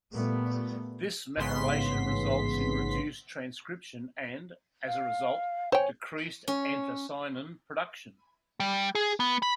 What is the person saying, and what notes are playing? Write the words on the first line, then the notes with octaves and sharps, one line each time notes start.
This methylation results in reduced transcription and, as a result, decreased anthocyanin production.
A#2 G3 A3 B3
A1 G#2 C#3 B3 C6 B6
F5
C5 C#5 G5 G#5
C#4
G3
G#4
B3
B5